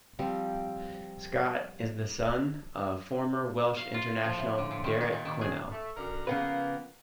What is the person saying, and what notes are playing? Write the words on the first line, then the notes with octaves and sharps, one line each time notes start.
Scott is the son of former Welsh international Derek Quinnell.
F3 G3 C4
F5
F4
F3
A2
D3
A#2
D#3
D#4
A#2
D#3
G#4
A3
F#2 D3 A#4
C#3 F3 A#3 B3 B4